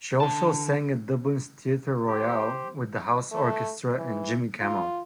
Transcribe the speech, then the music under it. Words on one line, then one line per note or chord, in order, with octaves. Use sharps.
She also sang at Dublin's Theatre Royal with the house orchestra and Jimmy Campbell.
D3 A5
G4 C5
A3
E3
F4